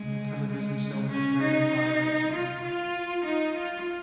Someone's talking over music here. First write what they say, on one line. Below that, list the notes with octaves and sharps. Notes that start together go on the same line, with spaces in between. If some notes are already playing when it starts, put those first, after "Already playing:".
The television show had very high ratings.
Already playing: G#3
G#3
C#4
D#4
F4
F4
D#4
F4